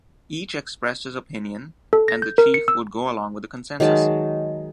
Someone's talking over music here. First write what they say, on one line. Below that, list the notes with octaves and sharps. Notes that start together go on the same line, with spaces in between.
Each expressed his opinion, and the chief would go along with the consensus.
A4
A#6
G6
A#4
C#7
E6
D#3 F#3 G#3 A5